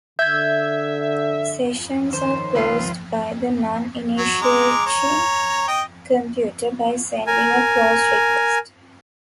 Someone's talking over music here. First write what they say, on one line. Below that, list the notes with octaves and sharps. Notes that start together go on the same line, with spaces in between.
Sessions are closed by the non-initiating computer by sending a close request.
D3 E5 G6 G#6
D#3 F3 C#4 C5
C#2 F4 B4 E5 G5 C7
F#3
G#3 A#5 D6
C#5 A#5
D#5 G5
A#4 G#5